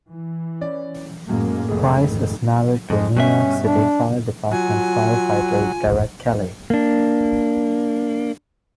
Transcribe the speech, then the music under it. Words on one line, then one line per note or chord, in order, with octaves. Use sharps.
Price is married to New York City Fire Department firefighter Derek Kelly.
E3
C#4 D5
F#2 A2 G#3 A#3
F1 G#4
D2 G#2 D#3
F2 G#3
G2 B2 C#4 E5
D4
F#3 F4 G#5
A#3 D4